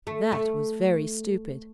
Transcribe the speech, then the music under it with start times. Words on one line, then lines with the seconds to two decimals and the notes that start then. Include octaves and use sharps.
'That was very stupid.
0.07 A3
0.32 A3